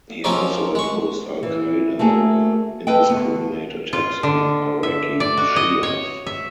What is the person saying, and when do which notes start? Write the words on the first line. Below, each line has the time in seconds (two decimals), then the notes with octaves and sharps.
He also opposed Al-Qaida over indiscriminate attacks on Iraqi Shias.
0.24 F3 C4 C#4 D#4 D5
0.75 G#3 C#6
1.43 E3
1.99 A3 A#3 F#4 G#4
2.87 A4 B4 D#5 G5
3.10 D2 B3
3.93 F4
4.23 D3
4.83 E5
5.20 D5
5.37 F#4
5.56 D#5
5.83 C#5
6.26 E5